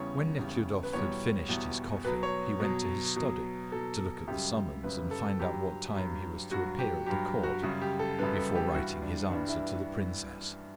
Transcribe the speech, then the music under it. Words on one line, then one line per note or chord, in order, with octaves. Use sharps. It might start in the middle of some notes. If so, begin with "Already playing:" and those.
When Nekhludoff had finished his coffee, he went to his study to look at the summons, and find out what time he was to appear at the court, before writing his answer to the princess.
Already playing: E2 C#3 G3 C#5
E2 C#3 G3
B4
E2 B2 G3 C#5
E2 B2 G3
B2 F#3 B4
C#5
B2 F#3
B2 F#3
B2 F#3 A4
F#2 C#3 G3 G4
F#2 C#3 G3 B4
A4
G2 F#3 G4
G2 F#3
G2 F#3 F#4
G4
G2 F#3 G4
F#4
F#2 C#3 G3 F#4
G4
A4
F#2 C#3 G3 B4
A4
G4
G2 E3 G3 F#4
D4
G2 E3 G3 D4
E4